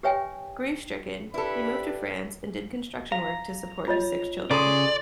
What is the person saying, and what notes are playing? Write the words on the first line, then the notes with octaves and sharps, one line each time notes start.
Grief-stricken, he moved to France and did construction work to support his six children.
G4 B4 C#5 E5 G5 G#5
D4 E4 G4 A4 B4 D5 B5
F5 A#5
F4 C#5 D#5
C#3 G#4 A4 D5 B5 C6